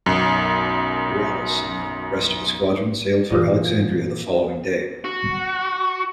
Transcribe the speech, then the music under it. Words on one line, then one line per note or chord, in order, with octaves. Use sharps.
"Euryalus" and the rest of the squadron sailed for Alexandria the following day.
B1 F#2
F#2 A#2 E3 D#5
F#4